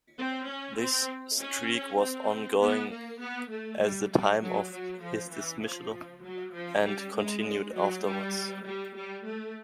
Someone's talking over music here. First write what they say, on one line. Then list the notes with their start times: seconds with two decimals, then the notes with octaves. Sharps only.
This streak was ongoing at the time of his dismissal and continued afterwards.
0.18 C4
0.48 C#4
0.79 C4
1.39 C#4
1.99 C4
2.60 B3
2.90 A#3
3.20 B3
3.51 A3
3.81 G3
4.11 G3
4.41 F#3
4.71 F#3
5.01 F3
5.32 E3
5.62 F3
6.22 F#3
6.53 F3
6.83 G3
7.13 G#3
7.74 F#3
8.04 G3
8.65 G3
8.95 G3
9.25 A3